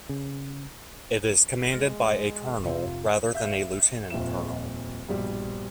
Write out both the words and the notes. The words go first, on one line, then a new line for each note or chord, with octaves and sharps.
It is commanded by a colonel, rather than a lieutenant colonel.
C#3
G#3 F6 A6 A#6
F1 C3 F4
E5 F5 G6
D#1 F2 A#2 E5 E7
A#1 G2 B2 G3